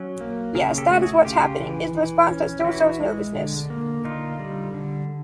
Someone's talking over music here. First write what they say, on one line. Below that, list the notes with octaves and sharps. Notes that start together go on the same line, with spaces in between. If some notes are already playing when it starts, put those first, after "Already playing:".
Yes, that is what’s happening, is the response that still shows nervousness.
Already playing: F#3 C#4
A#3
C#3 G#4 A#4
G4 A4
A3
F#4 G#4
C#3 F4 G4
E3
E3
C#4
G4
E3 E4 F#4
G#3
D3
A#3
D3 D#4 F4
G3
D3